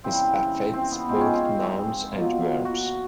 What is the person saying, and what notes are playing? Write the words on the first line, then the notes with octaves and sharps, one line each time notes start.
This affects both nouns and verbs.
C#3 E3 G3 A#3 C4
C4
B3
G#2 F3 G#3 C4
C#4
C4
C4
B2 F#3 A#3 F4
F#4